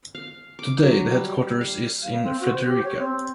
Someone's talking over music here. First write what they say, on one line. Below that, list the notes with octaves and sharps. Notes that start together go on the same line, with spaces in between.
Today the headquarters is in Fredericia.
F5
D6
F#3
G3
F5
F5
C4
F#4
C5
G4
C#5
C4